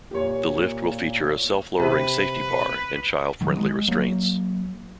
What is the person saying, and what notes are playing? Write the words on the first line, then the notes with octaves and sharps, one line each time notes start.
The lift will feature a self lowering safety bar and child friendly restraints.
A#2 G4 C#5
C3 B4
D#3 F#3
G#3
F#3 A#3